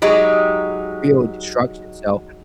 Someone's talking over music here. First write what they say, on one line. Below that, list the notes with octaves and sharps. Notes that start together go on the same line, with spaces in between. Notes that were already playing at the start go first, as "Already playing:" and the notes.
real destruction. So
F#3 G#3 D#4 G4